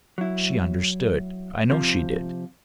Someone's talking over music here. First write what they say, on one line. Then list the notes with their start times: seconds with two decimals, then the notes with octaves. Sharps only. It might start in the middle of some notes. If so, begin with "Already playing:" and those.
She understood, I know she did.
0.18 F#3 E4
1.70 C3 F3